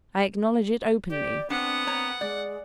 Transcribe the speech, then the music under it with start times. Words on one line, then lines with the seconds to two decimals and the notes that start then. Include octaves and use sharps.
I acknowledge it openly.
1.11 G4 D5
1.50 B3 C4 D4 F#5
1.87 C#5 A#5
2.21 G#3 D5